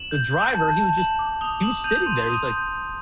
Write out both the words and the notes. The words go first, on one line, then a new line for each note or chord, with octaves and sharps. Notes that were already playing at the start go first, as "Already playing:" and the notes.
the driver, he was just he was sitting there. He was like
Already playing: E7 F#7
G6
G6
A5
A5
A5 E7 F#7
D6
D#6 F7 G7
D#6 E7 F#7
G6 D#7 F7
C6 D#7 F7
D#6 D#7 F7
G6
G6